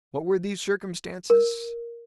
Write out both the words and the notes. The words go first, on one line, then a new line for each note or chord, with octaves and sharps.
What were these circumstances?
A#4